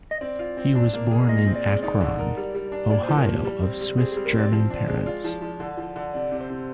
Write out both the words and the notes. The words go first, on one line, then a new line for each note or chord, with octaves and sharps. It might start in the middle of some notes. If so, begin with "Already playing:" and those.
He was born in Akron, Ohio of Swiss-German parents.
D#5
C4 D5
F4
C4
D4
A#3
G#4
A#2 D#5
C4
D5
G#3
D#4 D5
D3
A#4
G3
G3
D4
A#2 D5
C5
F3
A#4
A#2
G4
G3
C4
G3
C4 G#4
G3 G#4
A#4
C4 D5
F3 C5
D4
G#3
F4 D5
F3
F3
D3
F3
D3
C3 D5
C3
C5
C3